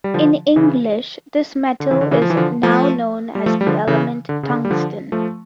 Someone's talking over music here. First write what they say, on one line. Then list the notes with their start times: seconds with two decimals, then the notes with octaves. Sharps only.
In English, this metal is now known as the element tungsten.
0.04 G3
0.14 D3 F3
0.56 C#3 E3
1.80 D3
1.90 C#3 E3
2.01 D3
2.11 C#3 E3
2.22 F3
2.30 E3
2.37 D3 F3
2.63 F3 A3
3.35 G3
3.46 F3 A3
3.61 G3
3.66 D3 F3
3.87 C#3 E3
4.29 D3
4.43 C#3
4.50 D3
4.65 G3
4.70 D3 F3
5.12 F3 A3